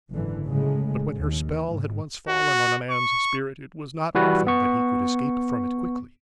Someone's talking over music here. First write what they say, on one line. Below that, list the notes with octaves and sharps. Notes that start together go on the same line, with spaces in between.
But when her spell had once fallen on a man's spirit it was not often that he could escape from it quickly.
F#1 G#2 D3 E3
A2 C#3 F#3 G#3 A3
D#2
G#2
F#4
C#6
E3 G3 F#4 B4
B3 C#6